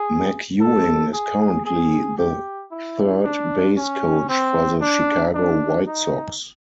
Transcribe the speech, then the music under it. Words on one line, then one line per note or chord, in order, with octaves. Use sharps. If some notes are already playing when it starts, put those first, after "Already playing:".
McEwing is currently the third base coach for the Chicago White Sox.
Already playing: G#4
A4
G#4
G#4
G4
E4
D4
C#4
C4
D4
D4
D#4